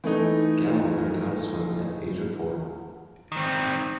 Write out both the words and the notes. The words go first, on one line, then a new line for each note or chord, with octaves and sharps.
Gao learned how to swim at the age of four.
E3 A3 D#4
D#3 C4